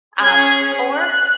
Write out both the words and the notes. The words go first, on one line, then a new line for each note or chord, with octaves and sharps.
Um, or
C#4 G#4 G#6
F#6